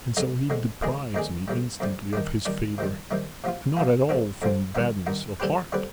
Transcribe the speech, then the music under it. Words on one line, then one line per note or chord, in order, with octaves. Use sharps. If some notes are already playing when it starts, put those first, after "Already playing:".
And so he deprives me instantly of his favor, and not at all from badness of heart.
F2 D3 G#3
F2 D3 G#3
F2 D#3 G#3 D4 G#4
F2 D#3 G#3 D4 G#4
F2 C3 G3
F2 C3 G3
D#3 G3 D4
D#3 G3 D4
C3 D#3 G3
C3 D#3 G3
C3 F3 B3 F4
C3 F3 B3 F4
F2 D3 F3 C4
F2 D3 F3 C4
G2 D#3 B3 D#4
G2 D#3 B3 D#4
D3 G3 C4 G4 B4
D3 G3 C4 G4 B4